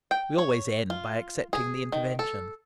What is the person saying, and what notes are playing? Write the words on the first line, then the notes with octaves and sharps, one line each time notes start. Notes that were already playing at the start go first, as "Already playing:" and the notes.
We always end by accepting the intervention.
G5
C#5
F4
G#4
D#3
A4